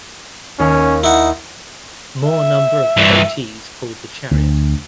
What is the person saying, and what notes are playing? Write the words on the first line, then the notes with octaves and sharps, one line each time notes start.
More number of devotees pulled the chariot.
D#2 C#4 F6
D#4 E4 F#5
E5
G2 E3
D2